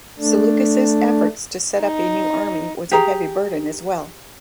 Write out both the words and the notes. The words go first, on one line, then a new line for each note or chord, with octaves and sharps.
Seleucus' efforts to set up a new army was a heavy burden as well.
A3 D4
D#4
G4 G#4 A#5